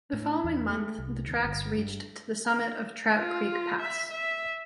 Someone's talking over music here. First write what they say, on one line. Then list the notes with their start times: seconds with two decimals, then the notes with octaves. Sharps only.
The following month, the tracks reached to the summit of Trout Creek Pass.
0.13 A2
0.44 E2
0.70 A3
0.98 C2
1.27 D#2
1.45 G1
1.77 G2
3.15 F4
3.80 E5
4.11 E5